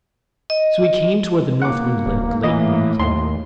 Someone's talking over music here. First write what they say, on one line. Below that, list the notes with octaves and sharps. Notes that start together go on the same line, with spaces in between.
So he came to where the North Wind lived late in the afternoon.
D#5
A#3 F#5 D6
D1
A2 E3 D#5
D#2 C6